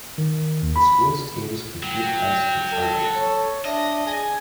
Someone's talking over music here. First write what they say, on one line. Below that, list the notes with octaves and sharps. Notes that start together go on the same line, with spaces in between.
The school's teams compete as the Chargers.
D#3
D#2
B5
F#3 G5
A4
C#5
D4 D#5 E5
G#4 G#5